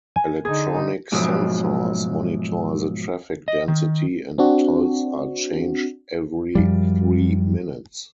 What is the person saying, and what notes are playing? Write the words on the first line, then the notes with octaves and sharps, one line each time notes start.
Electronic sensors monitor the traffic density and tolls are changed every three minutes.
G#5
D3 D#4 G#4
G#2 B2 F3 F#3
D#5
D#3
C4 D4 F#4
F#2 F3 G3